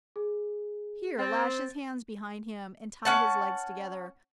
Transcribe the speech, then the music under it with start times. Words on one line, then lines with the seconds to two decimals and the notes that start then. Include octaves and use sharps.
Here, lash his hands behind him, and tie his legs together.
0.16 G#4
1.19 C4 A6
3.05 C#4 F#5 A5